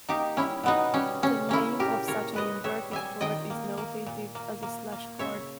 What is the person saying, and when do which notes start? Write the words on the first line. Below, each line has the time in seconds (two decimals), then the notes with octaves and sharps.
The name of such an inverted chord is notated as a slash chord.
0.09 A#3 D#4 G4
0.37 G3 C#4 E4
0.63 B2 B3 D#4
0.94 G3 C#4
1.23 C#3 C#4
1.49 A#3 C#4 E4
1.79 A#2 G4 A#4
2.07 A#2 A#4 C#5
2.34 G#3 B4 D#5
2.64 G3 C#5 E5
2.91 G3 E5 G#5
3.21 D#3 D#5 G5
3.50 A#3
3.77 A#3
4.06 A#2
4.35 A#3
4.63 A#3
4.92 A#3
5.19 C#3 C#5 E5